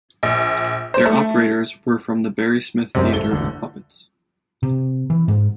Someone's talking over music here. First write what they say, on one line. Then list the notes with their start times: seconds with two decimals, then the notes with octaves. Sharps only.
Their operators were from The Barry Smith Theatre of Puppets.
0.23 A#1
0.94 C5
1.06 A3
2.95 F#2 C3 G#3 C4 D5
3.11 G#1 A4 G7
3.31 E1 A1 D3
4.63 C3
5.10 E3
5.28 G#2